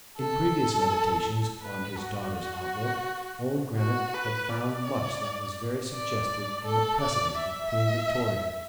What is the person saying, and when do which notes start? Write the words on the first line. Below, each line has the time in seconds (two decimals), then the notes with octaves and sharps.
In previous meditations on his daughter's outlook old Grammont had found much that was very suggestive in the precedent of Queen Victoria.
0.18 A4
1.62 B4
1.98 F#4
3.78 F#4
4.14 B4
4.49 D5
5.93 D5
6.65 A4
7.01 D5
7.38 E5